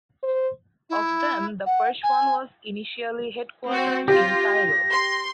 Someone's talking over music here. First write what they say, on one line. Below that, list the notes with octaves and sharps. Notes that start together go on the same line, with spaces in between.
Of them the first one was initially headquartered in Cairo.
C5
E4
F#5
G#5
C4 F#4
F4 G4 A#6
C6